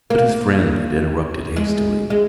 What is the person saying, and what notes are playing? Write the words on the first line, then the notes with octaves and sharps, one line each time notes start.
But his friend had interrupted hastily.
A#3
G#3
G#3